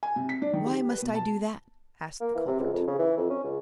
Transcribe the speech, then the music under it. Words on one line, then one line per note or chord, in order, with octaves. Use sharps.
"Why must I do that?" asked the culprit.
G#5
C3
B6
D4
D#3
G4
B4
B2
A5
A#3
E3
C3
C#2
F2
C#3
E3
F2
C#4
C#2